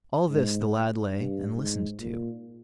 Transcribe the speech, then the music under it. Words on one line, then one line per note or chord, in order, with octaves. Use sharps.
All this the lad lay and listened to.
G#2
G2
G#2
A#2